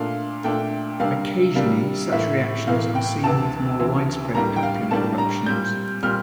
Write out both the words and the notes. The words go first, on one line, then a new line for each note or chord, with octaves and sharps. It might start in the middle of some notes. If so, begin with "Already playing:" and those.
Occasionally such reactions are seen with more widespread papular eruptions.
Already playing: A#2 A3 D4 F5
A#2 A3 D4 G5
C3 G3 A#3 D4 F5
C3 G3 A#3 D4 F5
A2 E3 A#3 E5
A2 E3 A#3 F5
G5
D2 C3 E3 A5
D2 C3 E3
A2 G3 A#3 D4 A#5
G5
F5
A2 G3 A#3 D4 A5
A#5
A#2 G3 C4 G6
A#2 G3 C4 F6